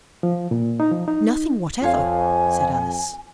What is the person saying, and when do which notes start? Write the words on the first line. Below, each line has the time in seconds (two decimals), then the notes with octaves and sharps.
'Nothing whatever,' said Alice.
0.23 F3
0.51 A#2
0.80 D#4
0.92 F3
1.08 D#4
1.82 F2 F4 C#5 F5 G#5